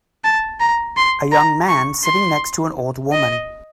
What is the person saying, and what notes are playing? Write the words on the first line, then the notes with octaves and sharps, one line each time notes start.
A young man sitting next to an old woman.
A5
A#5
C6
A#5
C#6
C6
D#5